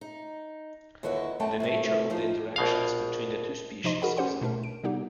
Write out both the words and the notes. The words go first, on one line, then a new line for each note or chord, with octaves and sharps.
The nature of the interactions between the two species is unknown.
D#4
D#2 D3 E4 F#4 B4 D#5
F#2 A3 B3 G5 A5
A2 C3 A3
F3 D#4 A4 C5
A#1 B2 F5
C3 F3 D#4 D#5 C6
F#4 G#4 A#4 F#5 B5
C#4 G4 C5 F#5 C6
B2 A3 D4 A#4
D7
C3 G3 B3 D#4 G4